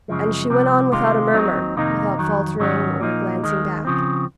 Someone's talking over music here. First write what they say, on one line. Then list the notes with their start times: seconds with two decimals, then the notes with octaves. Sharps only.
And she went on without a murmur, without faltering or glancing back.
0.08 F#2 C#3 F3 G#3
0.50 C2 C3 F3 C4
0.92 C3 D#3 G#3 C4 F4
1.34 D#2 D#3 F#3 C4 D#4
1.76 F2 C3 D#3 A#3 D#4
2.18 F2 D#3 F#3
2.60 G#2 D#3 F#3 C#4 F#4
3.01 A#2 F3 A#3 D#4
3.44 D#2 D#3 G#3
3.85 C#3 F3 C4